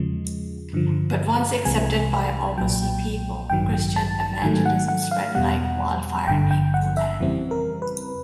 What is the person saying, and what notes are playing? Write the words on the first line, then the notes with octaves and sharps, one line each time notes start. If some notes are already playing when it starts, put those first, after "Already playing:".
But once accepted by Obosi people, Christian evangelism spread like wildfire in Igbo land.
Already playing: E2 C#3 F3 G#3
G2 D3 F3
C2 C3 E3 G#3 C4 G#5
B1 A#2 F#3 G5
A1 G2 D#3 F#3 G5
G5
A5
A5
G#2 D#3 F#3 A3 G#5
F#5
F#5
F5
E2 B2 G3 F#5
G#1 G2 D3 G5
G5
F#5
E5
F2 C#3 E3 G3 C4
A#4
B4